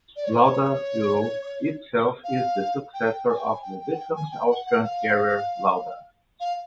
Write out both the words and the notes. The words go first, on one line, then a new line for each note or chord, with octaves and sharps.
Lauda Europe itself is the successor of the defunct Austrian carrier Lauda.
D5
C#5
C5
C#5
F5
G5
G#5
G5
G#5
G5
G5
F#5
G5
G#5
G5
F#5
F#5
F5
F5